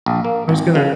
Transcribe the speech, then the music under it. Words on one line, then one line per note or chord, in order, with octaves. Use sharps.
I was gonna
A#1
A#3
G#1
C#3